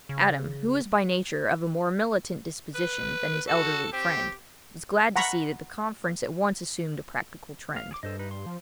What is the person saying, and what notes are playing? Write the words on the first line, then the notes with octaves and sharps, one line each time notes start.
Adam, who was by nature of a more militant disposition than his elderly friend, was glad to see that the conference at once assumed a practical trend.
C#3
B4
F#4 A4
C4 G4
F#5 A#5 B5 C#6
F5
G#4 D6
G2 A4 C5 D#5
D#4 B4
C6
F3